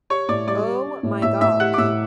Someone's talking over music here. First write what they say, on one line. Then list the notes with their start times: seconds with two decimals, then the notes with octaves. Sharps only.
Oh my gosh.
0.10 G4 C#5 C#6
0.29 A2 D5 D6
0.47 G3 D5 D6
0.67 G4
0.86 C#4
1.03 A2
1.22 A2 E5 E6
1.41 A2 E5 E6
1.60 G4 F#5 F#6
1.74 D6
1.78 A2 E5 E6